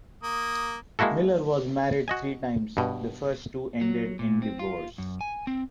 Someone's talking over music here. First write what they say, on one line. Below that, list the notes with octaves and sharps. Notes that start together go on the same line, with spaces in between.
Miller was married three times, the first two ended in divorce.
A#3 D#6
G#3 A#3 E4 F#4 A4
F#4 D#5 G#5
G2 B2
F#3
A#2
C4
F4
F#2
G#5
C4